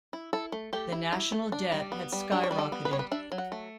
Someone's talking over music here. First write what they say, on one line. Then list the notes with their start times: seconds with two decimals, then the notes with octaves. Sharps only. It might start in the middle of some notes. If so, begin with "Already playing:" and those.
The national debt had skyrocketed.
0.13 E4
0.33 E4 A4
0.52 A3
0.73 A3 G4
0.92 E4
1.13 E4
1.32 A3
1.52 D4
1.72 G3
1.92 B3
2.13 G3
2.32 D4 G4
2.44 C#5
2.51 G3 B4
2.59 A4
2.72 B3
2.85 B4
2.91 G3 C#5
2.99 B4
3.12 D4 E5
3.32 F#3
3.38 F#5
3.52 A3